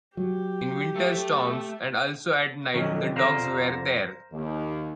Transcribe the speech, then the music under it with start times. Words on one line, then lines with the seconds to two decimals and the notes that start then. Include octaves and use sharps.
In winter storms, and also at night, the dogs were there.
0.17 F#3 G4
0.95 A3 A4 E5
2.74 F2 D3 D#3 F#3 C#4
3.16 A#4 C5 F5
4.32 D#2